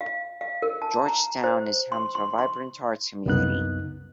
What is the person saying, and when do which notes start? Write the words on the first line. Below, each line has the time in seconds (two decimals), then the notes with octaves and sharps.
George Town is home to a vibrant arts community.
0.01 F5
0.41 F5
0.62 A#4
0.82 A5
1.06 A#5
1.44 C5
1.92 C6
2.15 C6
2.39 C6
3.26 C2 F#2 C#3 B3 D#4 F#6